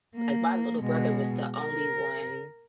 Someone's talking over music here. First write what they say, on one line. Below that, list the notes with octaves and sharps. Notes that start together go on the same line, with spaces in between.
like, my little brother was the only one
A#3
B2 G#3
A#4